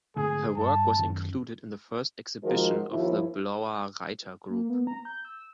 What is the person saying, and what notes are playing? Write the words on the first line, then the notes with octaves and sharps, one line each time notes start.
Her work was included in the first exhibition of the Blauer Reiter group.
G#2 D3 A3 G#4
G2 A5
F#2 D#3 C#4
D#3 F3 G#3 F#4 A#4
D#2 F3 E4
A#3
B3
A#5
G6
E6